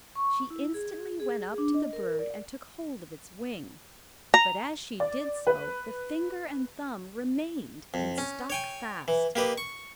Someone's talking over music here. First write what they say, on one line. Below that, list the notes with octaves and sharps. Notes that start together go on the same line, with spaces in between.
She instantly went up to the bird and took hold of its wing, but as she did so, the finger and thumb remained and stuck fast.
C#6
E4
G#4
G#4
D4
D#5
A#4
D5
A#5
D5
B4
F2
C#4
C#5 G5 G#5
E3
A#3 G4 B4 D#5
C#6